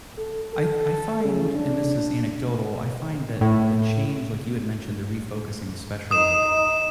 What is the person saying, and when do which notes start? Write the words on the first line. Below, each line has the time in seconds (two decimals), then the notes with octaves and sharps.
I f I find and this is anecdotal, I find that the change, like you had mentioned, the refocusing, especially,
0.18 A4
0.54 A4
1.24 C#3
1.55 D4
3.41 A2
6.11 D#4 D#6 E7